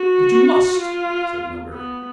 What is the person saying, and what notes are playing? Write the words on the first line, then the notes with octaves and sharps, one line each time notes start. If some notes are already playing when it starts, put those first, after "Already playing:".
"But you must," said Melbury.
Already playing: F#4
F4
B3